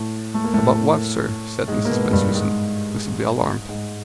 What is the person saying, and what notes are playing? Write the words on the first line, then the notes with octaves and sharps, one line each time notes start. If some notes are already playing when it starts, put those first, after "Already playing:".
"About what, sir?" said Mrs. Bensusan, visibly alarmed.
Already playing: A2 A3
A3
A#3
A2 A3
G#2 G#3
A#3
B2 B3
G2 G3
G#2 G#3
G#2 G#3